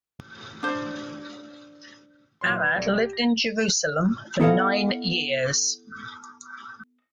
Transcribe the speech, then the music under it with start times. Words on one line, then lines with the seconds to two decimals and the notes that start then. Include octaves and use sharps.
Arad lived in Jerusalem for nine years.
0.63 D4 C5
2.41 A#2 E3 F#3 C#5 C6
2.59 B4
2.73 C2 A3 D5 G#6 A#6
2.95 G4
3.13 A#6
4.40 B3 E4 A4 D#5 F5 F#5